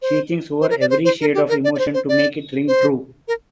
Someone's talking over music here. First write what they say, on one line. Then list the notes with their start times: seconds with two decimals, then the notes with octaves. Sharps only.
She thinks over every shade of emotion to make it ring true.
0.02 C5
0.61 C5
0.70 A#4
0.81 D5
0.90 C5
1.05 C5
1.21 A#4
1.34 G4
1.49 A#4
1.64 D5
1.75 D5
1.79 C5
1.94 C5
2.09 D5
2.68 C5
3.28 A#4